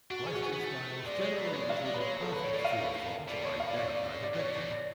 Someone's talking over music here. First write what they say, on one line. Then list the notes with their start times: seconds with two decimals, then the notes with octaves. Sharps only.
Question styles generally included puzzles, "true or false," or "identify the picture".
0.10 D4 F#4
0.26 C#4 G#4
0.35 F#4
0.42 B3 G#4
0.53 B3
0.64 A3
1.05 G#3 D5
1.19 G#3 C#5
1.32 A3 D5
1.45 F#3 B4
1.53 G#3 C#5
1.61 D5
1.69 F#3 F5
1.85 G#3 D5
1.94 B4
2.01 G#3 C#5
2.12 F#3
2.22 F3 A4
2.32 D3 B4
2.43 A2 C#5
2.53 A2 D5
2.64 B2 F5
2.96 A2
3.28 B2 D5
3.43 D3 C#5
3.59 A2 F5
3.69 D5
3.76 G#2 C#5
3.87 D5
4.23 D5
4.34 A2
4.38 B2 C#5
4.55 C#3 D5
4.65 A2
4.71 D5